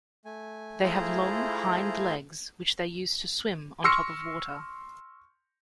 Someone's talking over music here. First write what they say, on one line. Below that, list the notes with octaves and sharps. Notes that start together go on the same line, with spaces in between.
They have long hind legs which they use to swim on top of water.
A3 G#5
A3 E4 F4 G#4 C5 A#5
C6 C#6 E6 F6 A#6 C#7